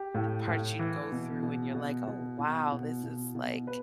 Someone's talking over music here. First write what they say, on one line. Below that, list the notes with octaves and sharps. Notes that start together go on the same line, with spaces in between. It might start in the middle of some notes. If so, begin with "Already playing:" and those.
parts you'd go through, and you're like, "Oh, wow, this is, like,
Already playing: G4
A2
A2
E3
B2
B2
B2
B2
B2
B2
B2
B2
B4